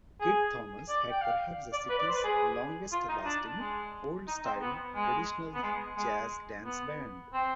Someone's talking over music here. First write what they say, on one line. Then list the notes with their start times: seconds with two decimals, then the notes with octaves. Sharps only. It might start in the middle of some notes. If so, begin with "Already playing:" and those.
Kid Thomas had perhaps the city's longest lasting old-style traditional jazz dance band.
0.20 G#4
0.88 D5
1.10 G5
1.21 F5
1.73 D5
1.89 B4
1.98 D5
2.07 C5
2.15 B4
2.24 G#4
2.92 F4
3.08 D#4
3.25 D4
3.60 G#3
4.27 D#4
4.45 C4
4.61 B3
4.95 G#3
5.54 B3
5.63 G#3
5.97 G#3
6.65 B3
7.34 C4